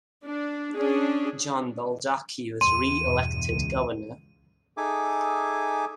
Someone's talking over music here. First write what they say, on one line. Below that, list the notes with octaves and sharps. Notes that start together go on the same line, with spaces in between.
John Baldacci was reelected governor.
D4
C#4 D4 G#4
E2 C6 D#7
E2 G2 B2
C#2
D#4 G#4 A4 E5 G#5 D6